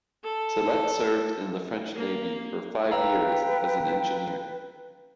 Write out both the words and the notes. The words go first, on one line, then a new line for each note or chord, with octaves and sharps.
Tillet served in the French Navy for five years as an engineer.
A4
A#3
B4 F5 G5 A#5 E6